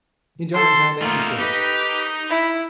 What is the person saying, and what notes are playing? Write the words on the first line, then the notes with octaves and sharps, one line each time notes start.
Gendarmes, I am at your service.
A4 C6
A3 A#3 D#4 F4
D#4 G4 B4 D#5
E4 B5